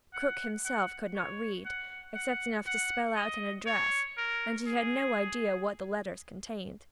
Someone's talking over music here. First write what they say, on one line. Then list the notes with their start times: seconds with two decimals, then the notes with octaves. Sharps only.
Krook himself could not read, except enough to spell out an address, and he had no idea what the letters contained.
0.14 F#5
0.65 F#5
1.15 C#5
1.65 F#5
2.15 F#5
2.66 F#5
3.16 D#5
3.66 C#5
4.17 A#4
4.67 G#4